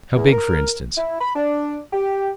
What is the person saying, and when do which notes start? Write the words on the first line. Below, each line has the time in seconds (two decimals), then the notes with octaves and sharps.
"How big, for instance?"
0.15 E2
0.32 A#4
0.97 E4
1.21 B5
1.35 D4
1.93 G4